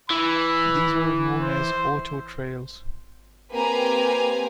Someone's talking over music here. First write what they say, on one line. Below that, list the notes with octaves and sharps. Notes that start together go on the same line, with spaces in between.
These were known as "auto trails".
E3 B5
C5
A#3 C4 G4 B4 G#5 A#5